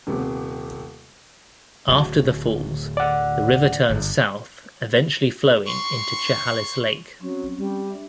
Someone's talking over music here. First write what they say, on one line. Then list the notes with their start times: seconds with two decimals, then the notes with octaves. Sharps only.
After the falls, the river turns south, eventually flowing into Chehalis Lake.
0.07 D#1 C3 B3 G4
1.88 D1 F#3
2.97 D5 F#5
3.89 G1
5.67 C6 C#6
7.20 F#3 C4 C#4
7.58 G3
7.90 D4 E5